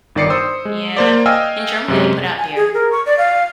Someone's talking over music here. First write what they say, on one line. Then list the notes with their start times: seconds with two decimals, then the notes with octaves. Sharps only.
Yeah. In Germany, they put out beer,
0.15 G1 D#3 D5 C7 C#7
0.30 C5 D#6 E6
0.65 G#3
0.97 A#3 C5 D5
1.26 D#5 F5 G5 G#5 E6 F6
1.88 F#2 C3 G#3
2.39 G#5
2.56 G#4
2.74 A#4
2.92 C#6
3.06 D5
3.18 F5